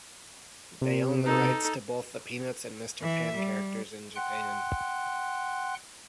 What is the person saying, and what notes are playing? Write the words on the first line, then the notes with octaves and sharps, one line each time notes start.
They own the rights to both the Peanuts and Mr. Men characters in Japan.
C3
D#4 A4
E3 E5
G3
F#5 G5 C6 F#6